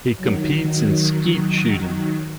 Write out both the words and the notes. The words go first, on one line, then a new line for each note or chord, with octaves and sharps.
He competes in skeet shooting.
D#3 F#3